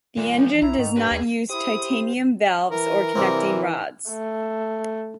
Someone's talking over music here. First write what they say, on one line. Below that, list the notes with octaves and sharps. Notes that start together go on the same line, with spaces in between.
The engine does not use titanium valves or connecting rods.
E2 A#2 G#3
F3
B1 E4 A#5
G#2 D#3
G2 A#4 B4
D#2 G#4
E4 G4 C5 D#6
E3 A#4
C2 E3 A#3 C4
A3